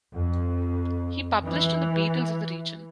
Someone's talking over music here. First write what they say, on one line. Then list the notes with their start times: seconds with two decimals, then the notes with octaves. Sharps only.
He published on the beetles of the region.
0.13 F2
1.44 E3